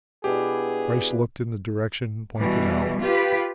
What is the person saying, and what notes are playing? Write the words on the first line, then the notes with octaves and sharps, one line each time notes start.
Bryce looked in the direction pointed out.
B2 D4 E4 G4 G#4
B2 E3 G3
F4 G4 B4